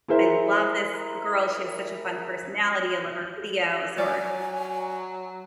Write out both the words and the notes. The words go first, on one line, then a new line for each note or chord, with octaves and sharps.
I love this girl, she has such a fun personality, I love her videos," or,
E4 G#4 A#4 C5 E5
F#3 C#5 D5 G#5